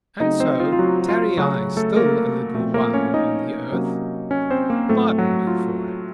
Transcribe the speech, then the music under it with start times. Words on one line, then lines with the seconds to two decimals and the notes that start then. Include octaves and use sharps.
And so tarry I still a little while on the earth--pardon me for it!
0.20 C#3 F#3 A3 C4 D#4 D#5
0.40 C4 C5
0.60 F4
0.72 F4
0.79 F#3 F#4
1.00 F#4
1.09 F4
1.38 C#3 F#3 A3 C#4 F#4
1.77 A3 A4
1.96 A#3 A#4
2.55 A#2 F3 A3 C4 A4
2.74 A#3 A#4
2.94 C#4 C#5
3.14 D#4 D#5
3.72 C3 F#3 A#3 C#4
4.31 C#4 C#5
4.50 C4 C5
4.69 A#3 A#4
4.89 A2 F#3 A3 C4 A4
5.18 F#3 F#4
5.47 F4